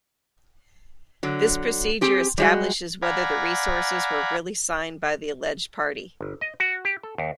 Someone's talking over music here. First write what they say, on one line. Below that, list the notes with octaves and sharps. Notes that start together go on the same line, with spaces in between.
This procedure establishes whether the resources were really signed by the alleged party.
D3 F#3
C4 G4 G#4
G3 G#3 F#4
D5 F5 F#5 G#5 A#5 B5
G1
D#5
F#4
G4
A4
D#2